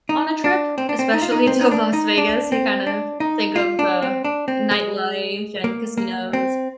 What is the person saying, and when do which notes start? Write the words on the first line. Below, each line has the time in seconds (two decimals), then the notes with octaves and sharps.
on a trip, especially to Las Vegas. You, kind of, think of the nightlife and casinos.
0.09 D#4
0.44 D4
0.78 C4
0.89 D4
0.99 C4
1.14 D#4
1.22 F4
1.32 D#4
1.47 C4
1.61 D#4
1.71 D4
1.93 D#4
2.18 D4
2.52 C4
2.87 D4
3.20 D#4
3.56 F4
3.79 D4
4.02 C4
4.24 D4
4.48 C4
4.71 G#3
5.64 A#3
5.98 A#3
6.33 C4